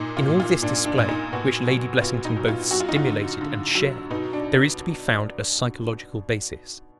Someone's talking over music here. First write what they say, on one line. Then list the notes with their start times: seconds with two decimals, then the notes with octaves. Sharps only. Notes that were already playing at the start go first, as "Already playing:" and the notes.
In all this display, which Lady Blessington both stimulated and shared, there is to be found a psychological basis.
Already playing: A#2 D#4
0.17 F4
0.28 A#2
0.40 F4
0.63 A#2 D4
0.86 D4
0.98 A#2
1.09 D#4
1.33 B2 F#4
1.67 F#3
2.01 B2 F4
2.25 D#4
2.37 F#3
2.48 F4
2.71 F#3 F#4
2.80 F4
2.88 D#4
2.96 F4
3.06 D3
3.41 D3
3.75 F#3
4.10 B2 D#4
4.33 D4